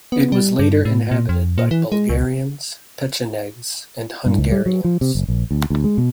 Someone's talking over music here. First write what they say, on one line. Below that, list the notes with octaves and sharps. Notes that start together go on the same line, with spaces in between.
It was later inhabited by Bulgarians, Pechenegs and Hungarians.
B3
G3
G2
A2
A#2
F2
A#2
E3
G#3
C#2
G2
C#2
G3
F#3
F3
C3
F#1
A#1
D2
D2
G#3
B2